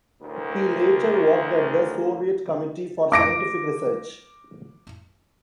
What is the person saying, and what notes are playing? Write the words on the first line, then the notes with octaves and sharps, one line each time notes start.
He later worked at the Soviet Committee for Scientific Research.
D2 A2 A#4
D6 A#6 D7